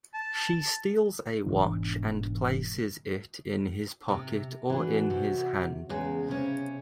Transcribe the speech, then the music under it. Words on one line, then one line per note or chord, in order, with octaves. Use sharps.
She steals a watch and places it in his pocket or in his hand.
A5
E1 G#2 E3 D4
C3
E3 D4 F#4
C3
E2 C#3 G#3
C3 C#4